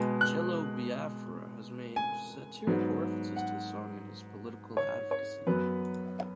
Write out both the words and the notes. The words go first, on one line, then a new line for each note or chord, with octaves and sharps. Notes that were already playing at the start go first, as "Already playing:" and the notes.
Jello Biafra has made satirical references to the song in his political advocacy.
Already playing: B2 G#3 B3
F#6
G#5
G#2 F#3 B3
F#5
C#5
C#5
F#2 F#3 B3 B4